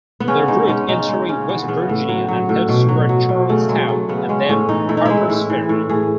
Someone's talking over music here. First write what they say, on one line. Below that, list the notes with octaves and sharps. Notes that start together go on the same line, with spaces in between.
The route entering West Virginia and heads toward Charles Town and then Harpers Ferry.
B3
C#3 C#4
G#3 D#4
G#3 C#4
C#3 D#4
G#3
C#3 C#4
E3 B3
C#3 B3
A2
F#3
F#3
A2
B2
F#3
F#3
B2
C#3 A3
F#3 G#3
F#3 A3
C#3 B3
G#3 C#4
A2 C#4
E3 D#4
A2 E4
D#4
G#3 E4
A2
E3
A2
A2 G#4